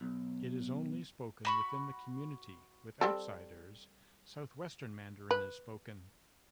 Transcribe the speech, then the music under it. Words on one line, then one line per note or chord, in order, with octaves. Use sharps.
It is only spoken within the community; with outsiders, Southwestern Mandarin is spoken.
B1
F#4 B5 C#6
G3 C4 A4
B4